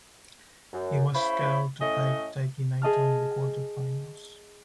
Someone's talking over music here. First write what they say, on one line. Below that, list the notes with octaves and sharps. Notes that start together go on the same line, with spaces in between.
He was scheduled to fight Taiki Naito in the quarterfinals.
F#2
C#3 E4 C5 C#5 B5
A2 C#4 D#5
G#4 D#5 A5 F6